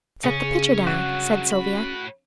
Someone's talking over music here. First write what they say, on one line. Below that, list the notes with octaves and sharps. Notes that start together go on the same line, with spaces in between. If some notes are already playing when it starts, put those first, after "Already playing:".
"Set the pitcher down," said Sylvia.
C#3 C#4
G2 F#3 F#4
A2 B5